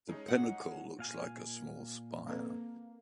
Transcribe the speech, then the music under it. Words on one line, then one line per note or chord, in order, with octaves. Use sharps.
The pinnacle looks like a small spire.
G#3 C#4 D#4
F#5
A#2 F5 G#5
A#3 C4 A4 B4